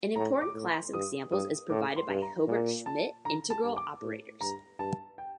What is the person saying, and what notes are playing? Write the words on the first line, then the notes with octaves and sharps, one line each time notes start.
An important class of examples is provided by Hilbert-Schmidt integral operators.
A2 A#5
D6
A2
C6
G2 D#6
G2 D#6
A2 D6
C6
G2
A#5
A#2
A5
D3 A#5
A5
G2
D6
A2
G2 A#5
G2 A5
G5